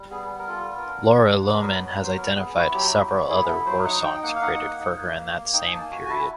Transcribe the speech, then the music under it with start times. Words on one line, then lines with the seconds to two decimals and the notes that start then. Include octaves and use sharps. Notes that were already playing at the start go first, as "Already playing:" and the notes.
Laura Lohman has identified several other warsongs created for her in that same period.
Already playing: G3
0.11 B3 G#4
0.30 G3
0.39 A#4
0.48 F4 A4
0.67 B3
0.77 A#4
0.86 D4
1.04 D4
1.24 D4
1.42 B3
1.54 B4
1.61 F#3 A#4
1.75 B4
1.79 F#3
1.89 B4
1.98 F#3
2.03 C5
2.16 B3 A#4
2.35 B3 G#4
2.55 E4 F#4
2.73 F#3 G4
2.92 E4
3.11 B3
3.29 E4 G#4
3.47 E4 A4
3.66 F#3 C5
3.85 D#4 F#5
4.03 D#4 G5
4.23 A#3 F#5
4.35 F5
4.42 D#4 F#5
4.60 A#3
4.79 D#4
4.98 A#3
5.17 A#3
5.35 A#3
5.53 D#4 G5
5.67 G#5
5.73 A#3 A5
5.91 F#4 G#5
6.06 G#5
6.09 E4 A5